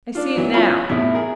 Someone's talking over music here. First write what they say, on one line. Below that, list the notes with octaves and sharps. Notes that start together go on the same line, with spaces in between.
I see it now.
D4 F4
E3 F#3 B3
C#4 F4 B5
E2 A2 C3 E5
G#4 A#4